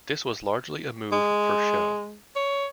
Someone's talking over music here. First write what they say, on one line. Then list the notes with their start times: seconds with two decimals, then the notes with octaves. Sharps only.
This was largely a move for show.
1.12 G#3
2.36 C#5